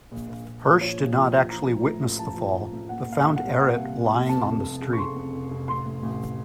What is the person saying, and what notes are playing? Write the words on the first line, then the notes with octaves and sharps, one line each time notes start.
Hirsch did not actually witness the fall but found Ehret lying on the street.
A#1
A#1
A#1
A#1
F3 C#5
A#1
F3
A#1
F3 A#5
F3
A2
A1
F3 A5
F3
A1
A1
A#2 F#5
A#2
F5
C2
C2 F#5
A#2 F#5
C2
A#2
C2
F1 A5
F2
F1
C#3
C#6
F2 C6
F2
F1
F1
A1 C6
A2
A1